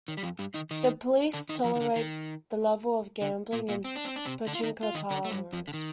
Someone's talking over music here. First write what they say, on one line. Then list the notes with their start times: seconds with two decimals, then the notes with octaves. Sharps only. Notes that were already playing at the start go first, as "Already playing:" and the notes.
The police tolerate the level of gambling in pachinko parlors.
0.08 D#3
0.17 G3
0.23 F2 F3
0.39 G2 G3
0.54 D#3 D#4
0.71 D#3 D#4
1.33 D3 D4
1.49 D#3 D#4
1.64 F2 F3
1.76 D#3
1.81 D3
1.96 D#3
3.22 D3
3.53 A#2 A#3
3.69 A#2 A#3
3.84 C4
3.96 D4
4.05 C4
4.16 D4
4.25 C3 C4
4.47 D3 D4
4.55 F4
4.63 D#3 D#4
4.83 F4
4.95 D#3 D#4
5.10 D3 D4
5.25 A3
5.31 G2 G3
5.53 F2 F3
5.68 D3
5.74 D#3